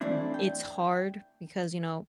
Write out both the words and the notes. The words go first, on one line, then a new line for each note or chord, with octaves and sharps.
mm, it's hard because, you know,
E3 A3 C4 D4 E4
G5